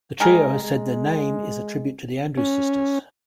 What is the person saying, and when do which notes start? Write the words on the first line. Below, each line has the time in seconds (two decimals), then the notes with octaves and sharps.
The trio has said their name is a tribute to The Andrews Sisters.
0.20 G3 G#3 G#4 A#4
0.63 G#3
2.38 C#4